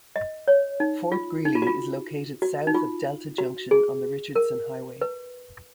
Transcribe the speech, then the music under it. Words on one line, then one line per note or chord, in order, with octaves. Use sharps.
Fort Greely is located south of Delta Junction on the Richardson Highway.
D#5
C#5
D#4
F4
D#4
F4
F#4
F4
F#4
D#4
F4
F#4
G#4
A#4
B4